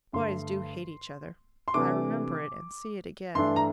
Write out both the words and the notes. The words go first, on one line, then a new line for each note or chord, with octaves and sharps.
Boys do hate each other: I remember it, and see it again.
G2 D3 A3 C6
C6
C3 E3 A3 D4 D6
G2 E3 A3 D4 C6
A#5